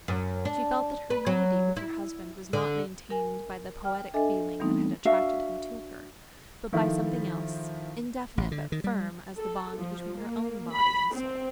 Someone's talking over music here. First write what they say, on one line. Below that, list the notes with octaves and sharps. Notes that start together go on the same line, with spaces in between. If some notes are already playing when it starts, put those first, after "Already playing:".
She felt that her unity with her husband was not maintained by the poetic feelings that had attracted him to her, but by something else--indefinite but firm as the bond between her own body and soul.
F#2
D4
B4
F#3
E4
D3
A#4 G#5
G5 F6
D4 A4 D#5 E5 G#5
E3 G3 A3 B3 C4 D#4
D4 F#4 E5 F5
D#3 F3 E4 A4
A1
D3
D#3
G3
A4
F3
A#3
B5
C4